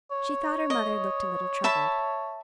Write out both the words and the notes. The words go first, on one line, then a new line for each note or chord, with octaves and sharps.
She thought her mother looked a little troubled.
C#5
D#5
E5 A5 B5